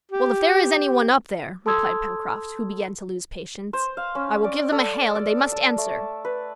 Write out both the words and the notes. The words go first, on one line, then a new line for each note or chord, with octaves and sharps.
"Well, if there is any one up there," replied Pencroft, who began to lose patience, "I will give them a hail, and they must answer."
G4
A4 A5 C6 D#6 E6 G#6
C5
F5
C#4
D5
A4
D5
A5
A3
B4